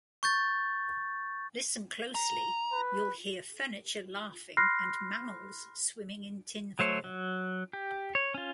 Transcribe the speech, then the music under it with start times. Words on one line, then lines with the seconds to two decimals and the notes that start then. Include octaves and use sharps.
Listen closely, you'll hear furniture laughing and mammals swimming in tinfoil.
0.23 C#6 G6 A6
2.15 A#5
2.72 B4
4.57 B5 C6 F6 F#6 A#6 C7
6.79 F#3 A3 C5 C#5
7.04 F#3
7.73 G4
8.15 C#5
8.34 C#4 F4